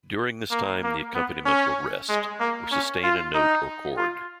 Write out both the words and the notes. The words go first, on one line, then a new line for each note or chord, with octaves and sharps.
During this time the accompaniment will rest, or sustain a note or chord.
A#3
A#3
B3
C#4
G#3
A#3
C#4
F4
D#4
F4